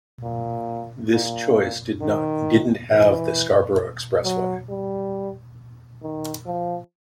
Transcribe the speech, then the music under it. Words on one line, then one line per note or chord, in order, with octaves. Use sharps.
This choice didn't have the Scarborough Expressway.
A#2
A#2
D#3
E3
F#3
G3
D#3
F3